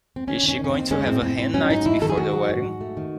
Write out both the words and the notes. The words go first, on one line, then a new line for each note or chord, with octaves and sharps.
Is she going to have a hen night before the wedding?
C4
D#3 C#4
D#3
C#4
D#3
C#4
C4
D#2
G#3 C#4
A2 C4
A2 C4
A2 C4
F#3 C#4
G#2 D#4
F#3 E4
D#3 A4
G#4
D#3 F#4
F#3
G#2
G#2
A3
D#3